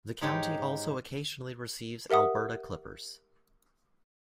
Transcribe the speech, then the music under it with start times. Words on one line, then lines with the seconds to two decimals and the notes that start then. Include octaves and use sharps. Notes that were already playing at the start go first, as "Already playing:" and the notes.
The county also occasionally receives Alberta clippers.
0.21 G#2 D#4 G4 C#5 G5
2.10 G4 A#4 E5 F#5 D#6